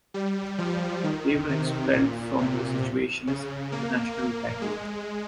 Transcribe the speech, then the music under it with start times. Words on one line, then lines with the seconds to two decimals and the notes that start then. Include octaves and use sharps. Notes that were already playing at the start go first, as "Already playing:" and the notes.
They were expelled from the Situationist International that year.
0.14 G3
0.58 F3
1.04 D#3
1.49 C3
1.94 A#2
2.38 C3
3.27 C#3
3.72 A#3
4.17 A#3
4.62 G#3